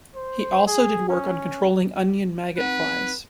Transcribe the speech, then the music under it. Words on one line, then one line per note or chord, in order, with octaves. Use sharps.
He also did work on controlling Onion maggot flies.
C5
G#4
C#4
C4 D#4 B4 F#5